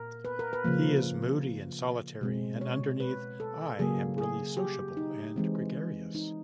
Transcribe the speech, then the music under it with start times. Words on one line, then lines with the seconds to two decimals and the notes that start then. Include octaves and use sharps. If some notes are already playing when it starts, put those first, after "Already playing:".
He is moody and solitary and underneath I am really sociable and gregarious.
Already playing: A#2 A#4
0.25 B4
0.39 A#4
0.53 B4
0.64 C#3 F3 A#3
2.21 B2 G#3 C4
2.61 C#5
3.00 B4
3.40 A4
3.79 C#3 F#3 A#3 G#4
4.18 G#4
4.57 G4
4.97 D#4
5.36 E3 G#3 C4
6.15 D#4